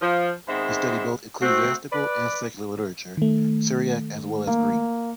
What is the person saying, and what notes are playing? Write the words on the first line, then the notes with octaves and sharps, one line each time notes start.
He studied both ecclesiastical and secular literature, Syriac as well as Greek.
F3
G#2 D#3 G#3 B3 C4 E5
A3 C4 F#4
B4 D5
D#3 A3
A#3